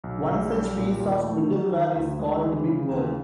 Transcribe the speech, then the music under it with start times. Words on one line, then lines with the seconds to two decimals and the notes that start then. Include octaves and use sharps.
One such piece of middleware is called BigWorld.
0.04 B1
0.27 B1
0.52 G3
0.75 A#2
1.00 D#2
1.23 A3
1.48 F#3
1.71 D#3
1.95 D2
2.19 G#3
2.43 E3
2.68 C#3
2.90 D#2